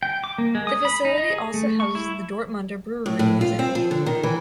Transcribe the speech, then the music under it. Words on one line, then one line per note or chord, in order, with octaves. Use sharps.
The facility also houses the Dortmunder Brewery Museum.
G5
D6
A#3
G#3
D#6
B5
D#4
D#5
G#4
A3
C#6
E4
A2
A2
F4
C4
F3
D3
D#3
E3